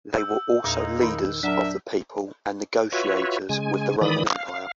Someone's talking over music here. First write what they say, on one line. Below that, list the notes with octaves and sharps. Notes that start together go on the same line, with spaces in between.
They were also leaders of the people and negotiators with the Roman Empire.
E6 G6
E2 A#2 G#3 A#3 D#4
D#3 D#5 B5 C6
F#3 D4 A#4 E5 F#5 B6
F4 F#4 B4 C#5 E5
C#3 G#3 G#5
D#3 E3 D5 B5 D#6
F5